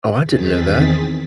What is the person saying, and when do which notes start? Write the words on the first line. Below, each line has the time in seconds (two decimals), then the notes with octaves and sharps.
Oh, I didn't know that.
0.23 E2 D#3 C4 G#4 A6 B6